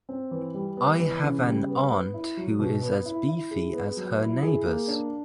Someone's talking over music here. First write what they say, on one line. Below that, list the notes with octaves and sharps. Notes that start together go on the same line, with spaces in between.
I have an aunt who is as beefy as her neighbors.
C4
E3
G3
B3
E3
C#3
G3
B3
B3
E4
F#3
B2
B3
E4
E4
G#4
B3
F#3
E4
G#4
A#3
D4